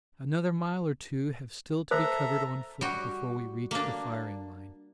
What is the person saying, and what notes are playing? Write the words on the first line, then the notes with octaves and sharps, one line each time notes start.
Another mile or two have still to be covered on foot before we reach the firing-line.
A4 C5 E5 A#5
G3 F#4
A#3 D4